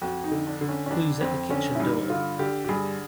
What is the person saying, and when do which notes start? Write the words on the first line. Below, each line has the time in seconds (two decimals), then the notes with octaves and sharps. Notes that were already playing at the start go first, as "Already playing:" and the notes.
Who's at the kitchen door?
0.01 F2 F#4
0.24 D#4
0.31 D3
0.47 D4
0.61 D3
0.69 C#4
0.86 C#4
0.91 F2 D4
1.20 F2 C4
1.50 D3 C#4
1.75 E4
1.80 G2 D#4
2.09 D3 F4
2.39 D3 G4
2.64 G4
2.69 G2 G#4